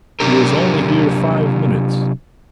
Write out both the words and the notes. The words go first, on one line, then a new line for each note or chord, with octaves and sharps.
He was only here five minutes.
C3 F#3 D4 G4 A#4